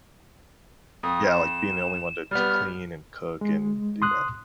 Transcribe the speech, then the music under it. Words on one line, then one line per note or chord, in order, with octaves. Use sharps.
Yeah, like, being the only one to to clean and cook and, you know,
F2 D#6
E7
G3 B3 F6
G#3
C6 D#6 F#6